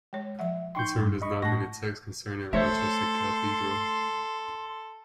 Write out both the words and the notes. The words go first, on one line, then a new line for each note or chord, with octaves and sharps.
The term does not mean a text concerning Rochester Cathedral.
G#3 C#5
F3 E5 F#5
D#4 G5 C6 C#6 G6
G2
D#5 B5 C#6
A2 F#5 A5 C#6 A#6
A3 A4 C5 C#5 E5 C6